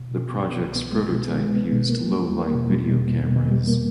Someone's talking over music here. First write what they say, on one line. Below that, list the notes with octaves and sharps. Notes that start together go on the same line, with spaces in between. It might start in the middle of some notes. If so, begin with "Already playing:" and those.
The project's prototype used low-light video cameras.
Already playing: B2
B2
B3
B3
C2
B3
G#3
B2
B3
G#3
B3
B2
A#3
G3
E2
A#3
B2
G3
B2
E2
B2
B2
G3
A#3